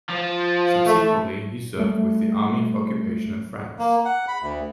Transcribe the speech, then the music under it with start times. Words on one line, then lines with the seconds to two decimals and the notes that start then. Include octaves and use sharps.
Subsequently he served with the army of occupation in France.
0.09 F3
0.87 A3
1.78 G3 A3
3.79 A#3
4.05 F#5
4.28 B5
4.42 D2